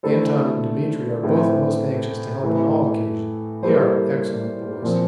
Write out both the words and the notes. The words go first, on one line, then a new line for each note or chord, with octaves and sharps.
Anton and Demetri are both most anxious to help on all occasions; they are excellent boys.
D3 A3 E4 A4 C5
A2 E3 A3 C4 E4
A2 E3 A3 E4
G3 A#3 E4 A4 C5
A#2 F3 C4